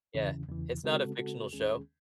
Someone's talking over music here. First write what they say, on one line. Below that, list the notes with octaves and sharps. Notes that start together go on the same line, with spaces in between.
Yeah, it's not a fictional show.
E2 C#3 E3
E2 C#3 E3
C#3 G#3 C4 F#4 A4
C#3 G#3 C4 F#4 A4
D#2 D#3 G#3 C#4 G#4